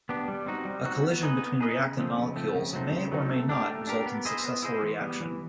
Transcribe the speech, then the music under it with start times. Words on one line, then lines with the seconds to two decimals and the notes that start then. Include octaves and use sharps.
A collision between reactant molecules may or may not result in a successful reaction.
0.09 B3 D4 G4
0.28 G3
0.46 C4 D#4 F#4
0.65 G3
0.84 C4 D#4 F#4
1.03 B3
1.23 D#4 G#4 B4 D#5
1.41 B3
1.60 D#4 G#4 B4 D#5
1.79 C#3
1.98 F3 A3 C4
2.16 C#3
2.36 F3 A3 C4
2.55 C#3
2.73 F#3 A3 C4 D#4
2.92 C#3
3.11 F#3 A3 C4 D#4
3.30 A3
3.49 D4 G4 A#4
3.69 A3
3.87 D4 G4 A#4
4.06 B3
4.25 E4 G#4 C5 D#5
4.44 B3
4.63 E4 G#4 C5 D#5
4.82 E3
5.01 G3 B3
5.20 E3